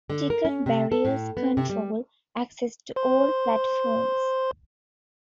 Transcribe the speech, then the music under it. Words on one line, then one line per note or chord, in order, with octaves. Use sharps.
Ticket barriers control access to all platforms.
D3
A#4
C#4
C3
A4
A2
B3
C3
G3
C5 C6